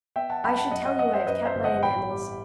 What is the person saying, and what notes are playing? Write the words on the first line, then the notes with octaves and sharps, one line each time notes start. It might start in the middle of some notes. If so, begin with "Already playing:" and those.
I should tell you I have kept my enamels.
B3 E5 G5
F#5 A5
F#2 G5 B5
F#5 A5
F#2 D#5 F#5
D#5 F#5
F#2 D#5 F#5
C5 E5
F#2 B4 D#5
C5 E5
G1
D#5 F#5
A1 G5 B5
G3